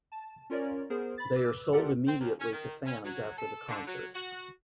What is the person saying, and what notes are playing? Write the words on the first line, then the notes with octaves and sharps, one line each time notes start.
They are sold immediately to fans after the concert.
A5
C#4 F4 A#4 C#5 D5
B3 G#4 A#4 C5
B5 A6
B4 D6 E6
F4 G4 A4 A#4 D5 F#5
C4
D#2
C#4
D#3
C#4
F#3
A4
D3
F#3
F#4